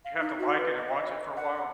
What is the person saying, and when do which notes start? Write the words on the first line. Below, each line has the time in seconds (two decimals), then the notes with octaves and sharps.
You have to like it and watch it for a while?
0.05 F5
0.20 D#4
0.39 F#4
0.58 B4
0.76 D#5
1.37 F#5